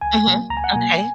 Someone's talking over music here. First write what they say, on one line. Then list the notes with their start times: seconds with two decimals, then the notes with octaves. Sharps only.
Mhm. Okay.
0.01 C#2 G#5
0.26 B2 F#3 A#3
0.50 C#2 A#5
0.57 G#5
0.64 F#5
0.72 B2 F#3 A#3 G#5